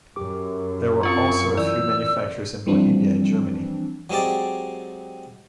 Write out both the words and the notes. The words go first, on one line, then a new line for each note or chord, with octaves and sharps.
There were also a few manufacturers in Bohemia and Germany.
F#2 G4 D6
C4 C#4 F4 C#6
E3 E4 D5 E6
E3 F3 G3 C4 D4
F#3 G#3 C4 G4 D5